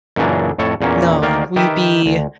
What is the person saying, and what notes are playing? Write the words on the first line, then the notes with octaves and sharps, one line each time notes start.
No. We'd be,
F#2 A#2 C#3 E3 D4
F2 A2 A4 C#5
E2 A#2 A#3 C#4
D2 D#3 A#3 D5 F5
D#3 G4 B4 E5 G5
D2